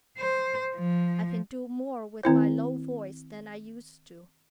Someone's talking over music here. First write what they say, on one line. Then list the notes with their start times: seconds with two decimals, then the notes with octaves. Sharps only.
I can do more with my low voice than I used to.
0.18 C5
0.75 F3
2.23 D#3 C4 E4 C5